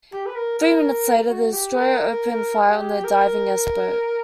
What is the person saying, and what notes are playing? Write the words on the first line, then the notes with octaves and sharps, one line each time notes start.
Three minutes later, the destroyer opened fire on the diving S-boat.
G4
B4
A#4
A#4
F#4
G4
A#4
G4
A#4